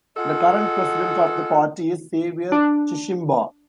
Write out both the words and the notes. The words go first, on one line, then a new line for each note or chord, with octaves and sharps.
The current president of the party is Saviour Chishimba.
F4 G#4 A4 D#5 F#5
D4